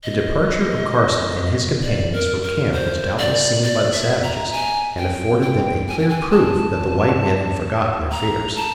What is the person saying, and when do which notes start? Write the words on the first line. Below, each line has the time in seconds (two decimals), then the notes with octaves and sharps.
The departure of Carson and his companions from camp was doubtless seen by the savages and afforded them a clear proof that the white men had forgotten their fears.
0.03 D#5
1.83 D5
2.13 A#4
2.43 A#4
2.73 C5
3.18 D5
3.63 D5
3.93 E5
4.23 A#5
4.53 G#5
4.98 G5
5.42 G5
5.87 G#5
5.99 G5
6.09 G#5
6.32 A5
8.11 A#5
8.56 A5